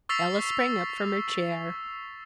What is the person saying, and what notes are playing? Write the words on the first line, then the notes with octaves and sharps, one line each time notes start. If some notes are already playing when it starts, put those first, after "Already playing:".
Ella sprang up from her chair.
C#6 E6 A6 B6 C7 F7